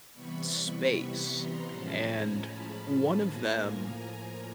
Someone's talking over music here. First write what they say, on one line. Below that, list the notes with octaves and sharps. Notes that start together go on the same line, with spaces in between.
space, and one of them
C3 E3 G3 B3 B5 C#6
A#5 C6
A2 F3 G#3 C#4 A5 B5
G#5 A#5
A5 B5
A2 F3 A#3 G#5 A#5